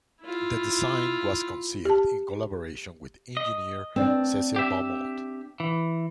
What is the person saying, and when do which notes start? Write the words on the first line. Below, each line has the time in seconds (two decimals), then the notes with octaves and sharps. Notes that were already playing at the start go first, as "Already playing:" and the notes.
The design was conceived in collaboration with engineer Cecil Balmond.
0.22 E4 F4
1.85 G4 A5
3.37 D#5
3.96 C4 D4
4.56 G4 E5
5.60 E3